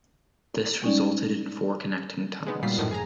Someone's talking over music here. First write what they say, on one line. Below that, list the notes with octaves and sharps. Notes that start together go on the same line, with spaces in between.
This resulted in four connecting tunnels.
G3 G#3 C#4 D#4 D5
G#3 B3 D#4
A#2 F#3 G3 F4 B6 C7
F#2 A2 D#3 F3
G#4 G#5 A#5